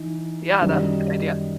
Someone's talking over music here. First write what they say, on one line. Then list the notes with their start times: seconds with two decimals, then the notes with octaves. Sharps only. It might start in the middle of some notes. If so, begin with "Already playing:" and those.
Yeah, that's a good idea.
Already playing: E3 D#4
0.61 F#2 D#3 G3 D#4